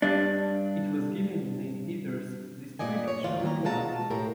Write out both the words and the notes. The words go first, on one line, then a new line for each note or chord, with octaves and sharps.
It was given the name Hathras District shortly after.
G2 D4
G2 A#2 D5 D#5 G#5
C#5
D2 G#2 E3 F4 D5
D#3 A#3 A#5
B2 G#3 F4 F#4 A5 A#5
A2 G4 A#4